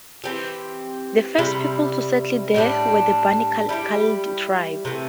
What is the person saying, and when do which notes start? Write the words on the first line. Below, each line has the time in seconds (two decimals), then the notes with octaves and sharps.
The first people to settle there were the Bani Khaled tribe.
0.24 E3 C4 G4
1.38 C3 G3 E4
2.54 A2 G3 D4
3.69 G3 E4 G4
4.85 C3 E3 A3